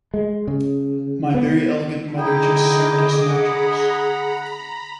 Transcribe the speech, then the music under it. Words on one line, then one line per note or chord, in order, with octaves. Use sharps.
My very elegant mother just served us nachos.
G#3
C#3
B3
D3 D#4 E4 G#4 D#5 G5 D6
F#5 A#5 B5